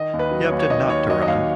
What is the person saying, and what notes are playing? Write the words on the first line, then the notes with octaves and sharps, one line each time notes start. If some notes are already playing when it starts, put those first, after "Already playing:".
He opted not to run.
Already playing: D#3 D#5
D#2
B4
F#3
C#5
D#2
C#5
D#3 D#5
D#2 C#5
F#3 D#5
D#5
D#2 F5